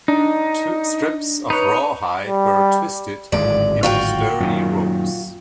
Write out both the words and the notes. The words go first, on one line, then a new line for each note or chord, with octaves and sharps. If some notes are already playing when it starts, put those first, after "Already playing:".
Strips of rawhide were twisted into sturdy ropes.
D4 D#4
D#4 B4 C#5
G3
D1 G#1 G#3 D5
F4 F#4 G5
F#2 A#2 D#3